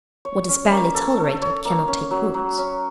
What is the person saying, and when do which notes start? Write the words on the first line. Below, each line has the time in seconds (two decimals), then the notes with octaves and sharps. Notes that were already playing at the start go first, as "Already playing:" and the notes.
What is barely tolerated cannot take root.
0.25 C#5
0.49 C#4
0.71 A#3
0.95 A4
1.17 A4
1.42 C#5
1.65 A#3
1.88 C#4
2.11 F#3
2.34 F#3
2.58 C#4